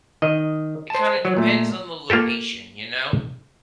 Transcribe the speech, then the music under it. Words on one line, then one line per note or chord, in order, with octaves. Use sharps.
it kinda depends on the location, you know?
D#3 D#5
C5 A5
F#3
A#2 A3
A#3 F4 G4 A4